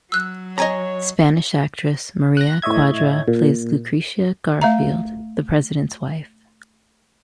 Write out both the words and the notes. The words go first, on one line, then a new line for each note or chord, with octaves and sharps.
Spanish actress Maria Cuadra plays Lucreatia Garfield, the President's wife.
F#3 E6 F#6
C#5 D#5 G#5 A#5
F#6 A#6
A2 C#5 D#5 E5 G#6
A#2
A3 E5 A#5